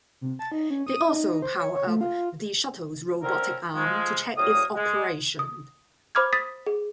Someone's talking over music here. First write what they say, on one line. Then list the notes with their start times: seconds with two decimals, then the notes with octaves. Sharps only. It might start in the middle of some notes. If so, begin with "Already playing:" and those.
They also powered up the shuttle's robotic arm to check its operation.
0.21 C3
0.39 A5
0.52 D#4
0.70 C#4
0.87 D#6
1.09 D#4
1.42 C5
1.58 C#5
1.74 C#5
1.87 A3
2.01 F4
3.23 D3 A#3 C4 C#4 A4 A#4
3.74 F3 G#3
4.37 C2 A2 F#3 A#3 D#6
4.75 G#3
5.39 D#6
6.15 C5 B5 D6 F6 G#6
6.33 D#6 A6 B6
6.67 G#4